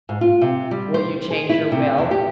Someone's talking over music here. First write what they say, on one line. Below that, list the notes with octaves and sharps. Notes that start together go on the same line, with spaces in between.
"Will you change your will?"
G#2
F4
C3
G3
C5
G#4
E4
C3
E2
G4